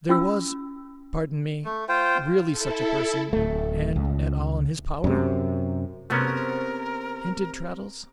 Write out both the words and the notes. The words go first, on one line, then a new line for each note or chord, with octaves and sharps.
'There was--pardon me--really such a person, and at all in his power?' hinted Traddles.
C#4 F4 E6
A3
F4 C5 G5
E4 A4
D1 A3
C#2
F#2 C3
C3 A3 B3 C#4 F#4 A#4